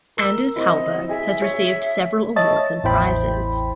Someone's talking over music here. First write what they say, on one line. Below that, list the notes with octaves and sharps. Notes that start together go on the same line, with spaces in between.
Anders Hallberg has received several awards and prizes.
A#4 E6 G7
C4 E4 D#5
G#4 E5 G#5
G#4 C#5
C#5 D#5 E5 A5 A6
A1 E2 E4 C5 G5 B5